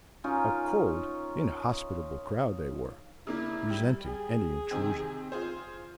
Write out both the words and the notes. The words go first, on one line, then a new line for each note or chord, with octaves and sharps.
A cold, inhospitable crowd they were, resenting any intrusion.
C#4 D#4 F4 A#4
C#3 A#3 D4 E4
G3
G#4
C3 D#3 C4
F4 G#4 C5